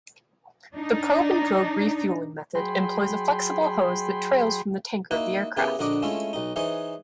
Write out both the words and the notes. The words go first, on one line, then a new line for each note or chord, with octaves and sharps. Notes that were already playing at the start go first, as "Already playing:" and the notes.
The probe-and-drogue refueling method employs a flexible hose that trails from the tanker aircraft.
D4 D#4
F#3 G#4 G5 B5 C6
A#3 D#4 E4 F#4
C#3 B3 E4 G4 G#4 A#4
A#1 D3 F#4 A#4 D#5 D6
G#3 A3 C#4 E4 F4
B1 D#4
E3 D#4 G#4 C5 C#5